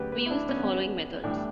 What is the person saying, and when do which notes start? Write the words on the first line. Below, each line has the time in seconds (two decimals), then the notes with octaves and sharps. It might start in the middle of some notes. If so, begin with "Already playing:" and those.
We use the following methods.
Already playing: D2 C#3 F#3 G4 B4
0.12 B4
0.26 E4
0.31 D4
0.49 C#4
0.56 B3
0.64 C#4
1.24 A2 E3 G3 D4